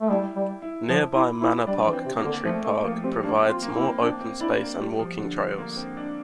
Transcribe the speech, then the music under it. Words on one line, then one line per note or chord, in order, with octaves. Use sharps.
Nearby Manor Park Country Park provides more open space and walking trails.
A3
G3 E4
G3
E4
F3
E4
E4
G3 D4
E3
C4
C3
A#3
D3
F3 A3
A3
F3 A#3
G3 C4
A#3 D4
C4
F4
A#3
E4
C4
C4 D4
C4
D4 E4
A#3
G3
F3
D3
A#3
C4
D4